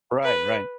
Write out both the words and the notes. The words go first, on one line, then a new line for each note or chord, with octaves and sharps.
Right, right.
B4